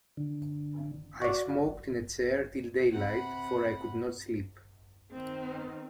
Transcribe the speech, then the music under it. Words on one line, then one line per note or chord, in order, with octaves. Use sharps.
I smoked in a chair till daylight, for I could not sleep.
D3
F#4 D5
C3 F#5 B5
D#3 C4